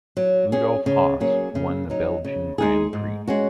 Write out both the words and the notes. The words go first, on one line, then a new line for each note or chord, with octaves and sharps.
Rudolf Hasse won the Belgian Grand Prix.
F#3
C#4 G#4
C#3
F#3 A#3 C#4 G#4
C#3
F#3 D#4
C#3
G#3 D#4 G#4
G#2
G#3 C#4 F#4